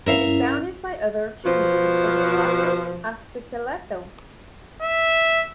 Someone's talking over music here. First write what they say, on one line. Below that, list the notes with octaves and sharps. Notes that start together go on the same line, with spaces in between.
It is bounded by other communes of Rovato, Ospitaletto.
G2 C#4 E4 A#4 E5 F5
B2 F3
E5